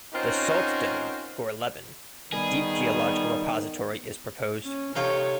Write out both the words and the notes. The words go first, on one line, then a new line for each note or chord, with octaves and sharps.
The salt dome Gorleben, a deep geological repository is proposed.
C4 C#4 D#4 F4 F#4 A#4
D#3 G3 B3 G#4
C#4
C3 D#4 F4 A4 C#5 G5